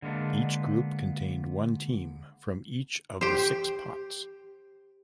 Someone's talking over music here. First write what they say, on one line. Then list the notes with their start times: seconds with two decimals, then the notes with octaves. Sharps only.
Each group contained one team from each of the six pots.
0.02 D3 G#3 A#3 B3 D4
3.21 G4 C5